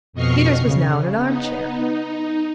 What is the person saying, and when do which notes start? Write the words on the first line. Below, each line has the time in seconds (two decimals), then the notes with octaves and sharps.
Peters was now in an arm-chair.
0.13 F2 B2 D#5 C#6 F6 C7
0.60 C#3
1.22 B3 D#4
1.84 D#4